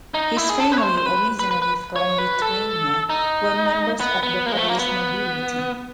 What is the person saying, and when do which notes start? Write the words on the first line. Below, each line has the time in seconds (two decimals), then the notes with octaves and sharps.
His family, originally from Lithuania, were members of the Polish nobility.
0.14 D#4
0.37 E4
0.49 G#4
0.60 A4
0.72 B4
0.78 C#5
0.83 C5
0.97 C5
1.06 B4
1.39 B4
1.51 B4
1.62 B4
1.96 C#5
2.18 B4
2.42 A4
3.10 D#4
4.00 B3
4.23 B3
4.46 A#3
4.52 G#3
4.57 A3
4.69 A#3
4.79 B3